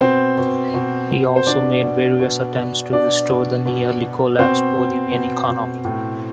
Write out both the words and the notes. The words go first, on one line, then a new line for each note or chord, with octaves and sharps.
He also made various attempts to restore the nearly collapsed Bolivian economy.
B2 C4 C5
B2
B2
B2
C5
B2 D4 D5
B2
B2
B2
B2 D4 D5
B2
B2
B2
B2 C4 C5
B2
B2
B2
A2